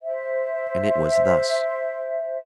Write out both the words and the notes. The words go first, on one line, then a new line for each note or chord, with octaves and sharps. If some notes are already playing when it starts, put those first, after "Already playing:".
And it was thus.
C5 E5